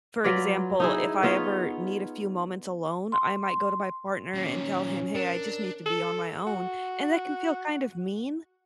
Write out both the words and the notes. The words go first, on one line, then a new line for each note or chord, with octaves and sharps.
For example, if I ever need a few moments alone, I might go to my partner and tell him, “Hey, I just need to be on my own,” and that can feel kind of mean
F#3 F4 B4 D5
D#4 E4 G#4
B3 F4 C#5
C6
A#2 D#3 C#4
D4 A#4
A4
F#4